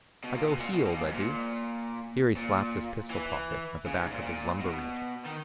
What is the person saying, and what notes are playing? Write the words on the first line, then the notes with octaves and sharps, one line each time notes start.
I go heeled, I du!' Here he slapped his pistol pocket at the back of his lumbar region.
B2
A#2
B2
A#2
B2
B2
A#2
G#2
A#2
A#2
E3
C#3
G#2
A#2
A#2
B2
D#3